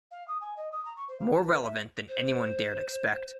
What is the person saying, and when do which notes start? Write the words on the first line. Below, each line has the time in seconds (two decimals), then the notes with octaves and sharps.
More relevant than anyone dared expect.
0.11 F5
0.27 D#6
0.41 G#5
0.56 D#5
0.72 D#6
0.85 A#5
0.96 C#6
1.08 C5
1.20 F5
1.32 A5
1.44 B4
1.61 E5
2.08 C5